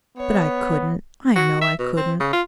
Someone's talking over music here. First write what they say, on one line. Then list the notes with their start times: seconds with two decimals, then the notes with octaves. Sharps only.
But I couldn't, I know I couldn't.
0.17 B3 C#5
1.36 F#4
1.61 E5
1.79 B2
1.97 C4
2.20 C#3
2.33 F4